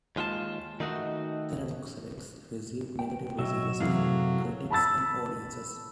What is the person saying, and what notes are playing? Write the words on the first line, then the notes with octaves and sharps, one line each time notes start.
"Theodore Rex" received negative reviews from critics and audiences.
D#2 G#3 F4 F5 A5
D#3 A3 D#4 F#4
G5
B2 F#3 F#4 D#5 E5
F#2 A2 C3 E3 F#3 G#4 A4 F5
A5 B5 E6 A6